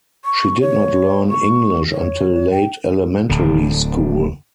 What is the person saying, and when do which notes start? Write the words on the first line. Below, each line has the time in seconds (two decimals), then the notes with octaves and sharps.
She did not learn English until late elementary school.
0.25 C#6
0.61 C#5
1.30 C#6
1.91 C#5
2.51 G5
3.30 D1 D3